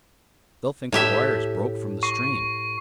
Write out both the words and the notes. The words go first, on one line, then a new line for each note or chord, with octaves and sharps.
They'll think the wires broke from the strain.
A2 G4 E5
C#6 C7